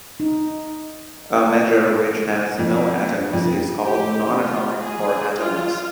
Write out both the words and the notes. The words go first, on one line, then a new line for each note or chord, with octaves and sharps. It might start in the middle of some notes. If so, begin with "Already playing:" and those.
A measure which has no atoms is called non-atomic or atomless.
D#4
F4
F2
F2
G4
F4
G#4
F4